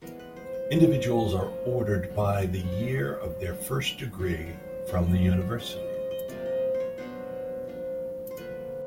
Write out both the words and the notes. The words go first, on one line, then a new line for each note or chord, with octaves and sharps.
Individuals are ordered by the year of their first degree from the university.
E3 G#3 B3 A#4
B4
C5
C5
F3 A#3 C#4 C#5
D#5
D5
F3 A#3 C#4 D#5
D3 F#3 A#3
B4
C5
C#5
D5
C#3 F3 G#3 C#4 D#5
F#3 A#3 D4
D#3 F#3 A#3 D4 C#5
C#5
C5
F#3 A3 C4 B4
D#5
D5
C#5
F3 G#3 C#4 D5
D#5
D#5
D#5
C3 F3 A#3 D5
D#5
C5
C#5
B2 F#3 B3 D4 C5
F3 A#3 D4
C5
D3 F3 A#3 B4